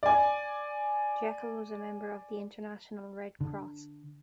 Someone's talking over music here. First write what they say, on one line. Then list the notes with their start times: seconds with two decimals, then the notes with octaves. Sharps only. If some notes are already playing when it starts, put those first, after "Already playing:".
Jeckle was a member of the International Red Cross.
0.03 D5 G#5
3.41 D3